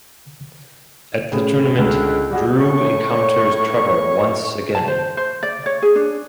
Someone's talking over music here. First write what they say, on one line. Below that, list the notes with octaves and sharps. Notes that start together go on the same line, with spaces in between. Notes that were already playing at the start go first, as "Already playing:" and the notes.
At the tournament, Drew encounters Trevor once again.
A2 C#3 G#4
C#2 D3
G3 F#4 G#4
A2 C#5 C#6
A5
C5
C5
D5
C#5
G#4
D4